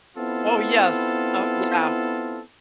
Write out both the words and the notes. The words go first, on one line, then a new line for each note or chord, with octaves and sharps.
Oh, yes. Oh yeah.
B3 C4 E4 F4 A4